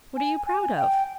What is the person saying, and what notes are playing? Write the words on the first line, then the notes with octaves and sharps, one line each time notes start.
What are you proud of?
G#5
G#5
G5